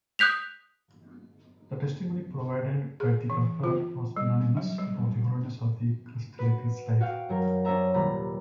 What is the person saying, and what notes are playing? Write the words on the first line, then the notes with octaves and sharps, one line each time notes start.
The testimony provided by the confreres was unanimous about the holiness of Crescitelli's life.
D#6 F#6 G6 B6 F7
G#4
E3
F4
G3
F#3
G3
F#4 B4
F#4 F5 G5
F#2 F#3 A#4
C#4 D4 C5 C#5 E5 A#5
D#1 C3 G3 A#5 B5